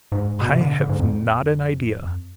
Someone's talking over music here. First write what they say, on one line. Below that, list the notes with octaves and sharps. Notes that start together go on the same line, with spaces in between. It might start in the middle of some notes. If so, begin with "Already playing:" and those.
"I have not an idea."
G#2
B2
C3
D3
D3
G#2
F2